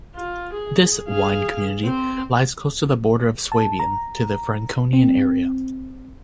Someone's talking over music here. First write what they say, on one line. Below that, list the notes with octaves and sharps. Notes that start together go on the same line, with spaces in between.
This "wine community" lies close to the border of Swabian to the Franconian area.
F4
G#4
G#4 F5
C4 C5
A5
A#5
C4